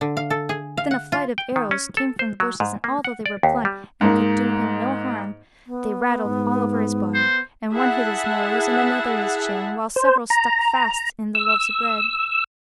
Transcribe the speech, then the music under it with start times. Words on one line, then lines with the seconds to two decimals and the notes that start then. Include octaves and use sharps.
Then a flight of arrows came from the bushes, and although they were blunt and could do him no harm they rattled all over his body; and one hit his nose, and another his chin, while several stuck fast in the loaves of bread.
0.01 D3
0.17 F5
0.30 A4
0.49 G#4
0.77 F5
0.91 F#5
1.12 F4
1.38 G5
1.56 D#3
1.71 C#4
1.97 A4
2.19 C5
2.40 F#3
2.60 G#2
2.84 A#3
3.04 F#5
3.26 D5
3.43 D#2
3.65 G3
4.01 G#2 A#3 D#4
5.67 B3
6.25 G#2
7.14 C5
7.73 E4 G#4 E5 F#5 A5
9.96 C5
10.30 A#5
11.35 E6